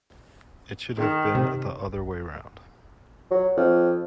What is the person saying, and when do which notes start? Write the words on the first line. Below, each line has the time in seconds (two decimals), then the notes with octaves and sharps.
It should have been the other way round.
0.97 D#3
1.35 C3
3.31 F#3
3.57 F2